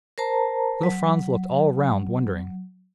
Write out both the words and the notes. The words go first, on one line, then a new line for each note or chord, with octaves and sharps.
Little Franz looked all round, wondering.
A#4 C5 A5 A#5
F#3